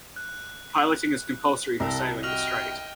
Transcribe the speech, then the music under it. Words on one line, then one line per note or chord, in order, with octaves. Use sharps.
Piloting is compulsory for sailing the strait.
F#6
C2 A4 A#4
F#4 D#5 G5 F6 F7